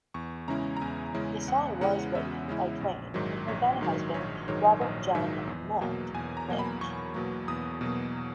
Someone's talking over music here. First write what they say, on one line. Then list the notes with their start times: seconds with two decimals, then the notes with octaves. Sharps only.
The song was written by Twain and her then-husband, Robert John "Mutt" Lange.
0.14 E2 C#6
0.48 C#3 G#3 C#4 E4 A#5
0.77 A#5
0.82 E2 G#5
1.14 C#3 G#3 C#4 E4
1.48 E2 F#5
1.81 C#3 G#3 C#4 E4 F#5
2.15 E2 E5
2.48 C#3 G#3 C#4 E4
2.81 A#1
3.14 G#2 D#3 F#3
3.48 A#1 C#5
3.81 G#2 D#3 F#3
4.14 A#1 C#5
4.48 G#2 D#3 F#3 C#5
4.81 A#1 D#5
5.15 G#2 D#3 F#3 E5
5.47 E2
5.81 B2 F#3 A#3
6.14 E2 G#5
6.37 A#5
6.48 B2 F#3 A#3
6.59 B5
6.81 E2 C#6
7.14 B2 F#3 A#3
7.48 E2 D#6
7.81 B2 F#3 A#3